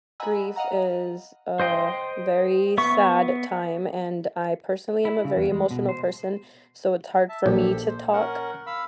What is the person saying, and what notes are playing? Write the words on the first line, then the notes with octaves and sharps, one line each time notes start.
grief is a very sad time, and I personally am a very emotional person, so it's hard for me to talk,
D#5 F#5 G#5 A#5 B5 E6
D#5 F5 F#5 A#5
C5 D#5 G5 C6
B3 E5 C#6
E4
C#3
E2
G#3
B2
C5
E5 A5
A#1 G4 A4
C5
C#4 A#4 F#5
F5 B5 E6